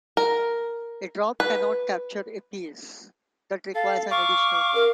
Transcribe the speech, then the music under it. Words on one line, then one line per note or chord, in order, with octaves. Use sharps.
A drop cannot capture a piece; that requires an additional move.
A#4
B4
A4 F5
F5 C#6 D6
A#4